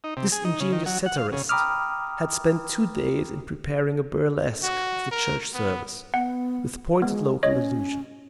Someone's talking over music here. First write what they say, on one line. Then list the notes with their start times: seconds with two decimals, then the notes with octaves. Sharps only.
This ingenious satirist had spent two days in preparing a burlesque of the Church service, with pointed local allusions.
0.04 D#4
0.17 C3
0.32 G#4
0.45 D#4
0.60 C#3
0.72 D#3
0.86 F#3
1.06 F#5
1.18 F5
1.32 C#3
1.49 G5 A#5 B5 D6 D#6 F6
4.63 F#4
5.11 A#4
5.54 B3
6.14 B3 F#5
7.02 G#3 B3
7.43 C#4 C#5 D#5